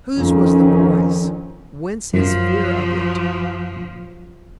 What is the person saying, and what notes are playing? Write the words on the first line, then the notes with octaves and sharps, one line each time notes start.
Whose was the voice--whence his fear of it?
F2 D#3 C#4
F#2 F3 F#3